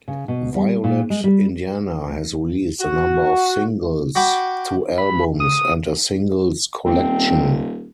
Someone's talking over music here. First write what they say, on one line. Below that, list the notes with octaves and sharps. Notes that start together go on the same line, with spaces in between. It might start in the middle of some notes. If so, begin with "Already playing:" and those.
Violet Indiana has released a number of singles, two albums and a singles collection.
C#3
B2
G3
A#2
G#3
G3
F#4
F#4 F#5 G5 B5 D6
B5
D#6
D#1 C4